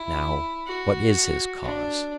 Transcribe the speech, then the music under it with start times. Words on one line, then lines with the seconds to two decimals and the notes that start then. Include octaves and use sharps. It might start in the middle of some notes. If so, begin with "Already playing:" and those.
Now, what is his cause?
Already playing: E4
0.67 F#4
1.62 D4